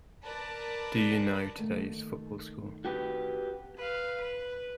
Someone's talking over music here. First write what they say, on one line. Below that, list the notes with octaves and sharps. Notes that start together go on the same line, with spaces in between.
Do you know today's football score?
A#4 B4 D5 A5
D#3 A3 A#3
F#4 G4 B4
B4 F5
B4